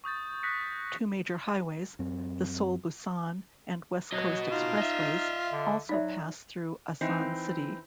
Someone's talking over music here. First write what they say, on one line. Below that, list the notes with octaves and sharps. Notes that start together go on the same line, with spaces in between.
Two major highways, the Seoul-Busan and West Coast expressways, also pass through Asan city.
C#6 D#6 G6 A6
D#6 F#6 A#6 B6 C#7
F#2 C4
F#3 F#4 D#5
D#4 F4
D#5 E5
D3
F#3 D#4 D5 E5
E3 C4 D#4